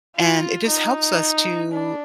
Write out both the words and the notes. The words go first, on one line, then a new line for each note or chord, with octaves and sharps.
and it just helps us to
F4
D#4
D4